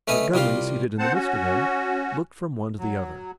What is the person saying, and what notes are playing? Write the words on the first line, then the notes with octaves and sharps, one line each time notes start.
Montgomery seated in the midst of them, looked from one to the other.
A3 C#4 B4 C#5 D#5 G#5
C2 G3 F4 G4 F5
C4 C5 F#5 A5
C#4 F#4
F#3